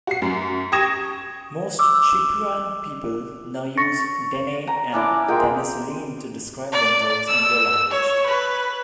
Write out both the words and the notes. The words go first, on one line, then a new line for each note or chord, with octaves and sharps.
Most Chipewyan people now use "Dene" and "Denesuline" to describe themselves and their language.
F#4 C7
F#2
G5 C#6 D#6 G#6 A#6 E7
D6 E6
C#6 A6 A#6 C#7
A#5
C#4 D4 E4 D6
G#3 F4 A#4 G5
D5
E6
C#5
B4